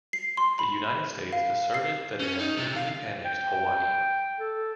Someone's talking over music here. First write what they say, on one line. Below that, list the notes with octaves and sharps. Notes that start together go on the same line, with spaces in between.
The United States asserted that it had legally annexed Hawaii.
C7
C6
B5
F5
C7
C#4
D#4
C3
F5
G5
A4